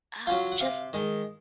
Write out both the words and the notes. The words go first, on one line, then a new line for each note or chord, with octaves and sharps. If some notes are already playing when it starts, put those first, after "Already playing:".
Oh, just
F#3 C#4 F4 F5
F#5
C3 F5
D#3 G#3